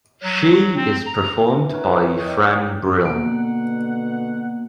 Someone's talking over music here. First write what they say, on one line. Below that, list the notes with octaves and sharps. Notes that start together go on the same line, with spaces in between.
She is performed by Fran Brill.
F#3
C4
A#5
E3
A#4 B4 C#5 F#5
G#4 C#5 D#5 G5
D5
B2 D3 A#3 F#5